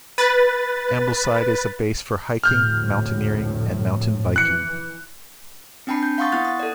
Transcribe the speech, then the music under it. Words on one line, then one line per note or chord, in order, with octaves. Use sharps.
Ambleside is a base for hiking, mountaineering and mountain biking.
B4 A6
F1 D2 A2 F6 G6
E3 F#6 C#7
C4 D4 G5 A5 B5 C7
G6
F5 F#5 C6 C#6 D#6 A6
B3 E4 F#5 D#6 F#6 A6
D#6
A4 D5